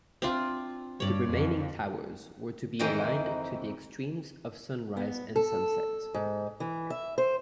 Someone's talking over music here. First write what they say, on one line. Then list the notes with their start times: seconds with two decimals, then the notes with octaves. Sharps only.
The remaining towers were to be aligned to the extremes of sunrise and sunset.
0.22 C4 D4 F4
1.00 G2 C#5 D5
1.30 F2
2.79 F2 D#3 E3 D#4 C5 G5
4.97 B3
5.36 A4
6.14 G#2
6.60 E3
6.90 E5
7.18 C5